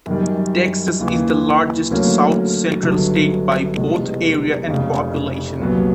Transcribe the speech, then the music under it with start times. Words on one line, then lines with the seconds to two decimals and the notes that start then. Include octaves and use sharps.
Texas is the largest South Central state by both area and population.
0.06 F#2 D#3 G3
0.99 D#2 C#3 E3
1.91 D2 D3 F#3 A#3 C#4
2.83 G1 G2 D3 F#3
3.75 F1 E2 B2 G#3
4.67 F1 F2 C#3
5.60 C2 A#2 F#3 B3